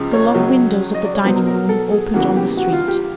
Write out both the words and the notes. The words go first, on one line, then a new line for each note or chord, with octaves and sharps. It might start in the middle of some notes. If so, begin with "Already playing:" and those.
The long windows of the dining-room opened on the street.
Already playing: C#2 C#3 F3 G#3
C#5
C#2 C#3 F#3
D#5
D5
C#5
B2 F#3 B3 C5
A#4
A#4
A4
G#4
E2 C#3 E3 G3 A#3 F#4
G4
F#4
F4
G4